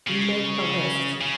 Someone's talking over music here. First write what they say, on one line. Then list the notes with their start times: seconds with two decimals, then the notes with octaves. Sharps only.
make the list
0.08 C#3
1.21 C#3